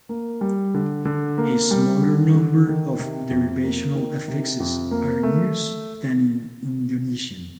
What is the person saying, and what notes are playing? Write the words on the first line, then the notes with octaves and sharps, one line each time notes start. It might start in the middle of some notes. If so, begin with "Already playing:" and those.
A smaller number of derivational affixes are used than in Indonesian.
A#3
G3
D3
D3
A#3
G3
D3
D3
D#3
C3
F2
A#3
D#3
C3
F2
A#3
A3